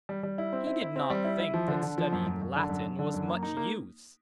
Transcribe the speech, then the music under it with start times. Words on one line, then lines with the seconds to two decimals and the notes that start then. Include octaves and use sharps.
He did not think that studying Latin was much use.
0.09 G3
0.23 G3
0.38 E4
0.53 C4
0.67 E4
0.81 E4
0.96 C4
1.10 G3
1.25 E4
1.40 E4
1.54 F3
1.68 D3
1.82 D3
1.98 F3
2.13 F#2
2.27 F#2
2.42 F#2
2.56 D3
2.70 F#2
2.85 F#2
2.99 D3
3.14 F#2
3.28 A#3
3.43 D#4
3.57 A#3